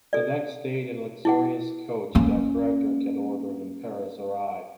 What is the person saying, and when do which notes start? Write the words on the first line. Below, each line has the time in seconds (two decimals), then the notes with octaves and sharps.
The next day the luxurious coach that Frederick had ordered in Paris arrived.
0.13 A4 D5
1.25 E4 G#4 F#5
2.15 A#3 C#4